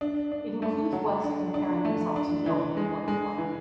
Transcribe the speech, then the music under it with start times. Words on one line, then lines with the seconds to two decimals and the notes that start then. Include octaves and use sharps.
It includes West comparing himself to Noah before the flood.
0.01 D4
0.32 D4
0.62 A3
0.93 F#3
1.24 D4
1.54 D4
1.85 A3
2.16 D4
2.46 E3
2.77 G#3
3.08 G#3
3.38 E3